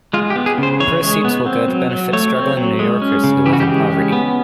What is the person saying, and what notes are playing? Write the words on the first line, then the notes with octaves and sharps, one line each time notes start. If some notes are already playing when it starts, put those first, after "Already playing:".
Proceeds will go to benefit struggling New Yorkers who live in poverty.
G#3 F4
G4
B3
G#4
C#3 C5
E3 C#5
G#3
B3
C4
F#3
F#3
A3 C#5
C4
F#3
G#3
C#4
C#3
E3 G4
F#4
G4
G#3
C#4
B3